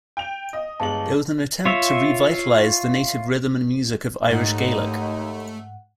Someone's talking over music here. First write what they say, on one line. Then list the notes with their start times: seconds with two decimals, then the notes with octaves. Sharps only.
There was an attempt to re-vitalize the native rhythm and music of Irish Gaelic.
0.17 G5 F7
0.53 D#5
0.80 G1 G#3 A5 F#7
1.65 F4 C#5 E5
4.30 D#2 G#2 A3 D#4 F#5